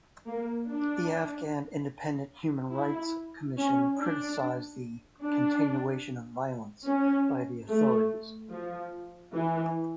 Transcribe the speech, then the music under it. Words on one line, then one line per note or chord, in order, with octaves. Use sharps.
The Afghan Independent Human Rights Commission criticised the "continuation of violence" by the authorities.
A#3
D4
E4
C#4
D4
D4
C#4
A3
F3
E3